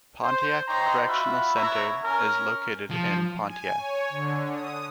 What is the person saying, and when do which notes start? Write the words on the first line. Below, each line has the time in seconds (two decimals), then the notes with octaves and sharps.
Pontiac Correctional Center is located in Pontiac.
0.23 C5
0.68 D#4 C5 C#5 G5 A#5
1.08 F4 F#4 E5 B5
1.55 B3 E4 C#5 E5 A#5
2.04 C#4 A#4
2.90 F3
3.44 G#5
3.76 C#5
4.10 D3
4.51 D#6